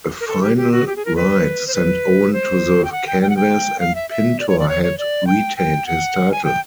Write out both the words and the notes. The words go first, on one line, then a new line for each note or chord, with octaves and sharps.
A final right sent Owen to the canvas and Pintor had retained his title.
A#4
A4
G4
G4
F#4
G4
G#4
A#4
B4
C5
B4
C5
G5
F#5
G5
G5
F#5
G5
F5
E5
E5
D5
C#5
D5
C#5
C#5
D5
G5
G5
F#5
G#5
G5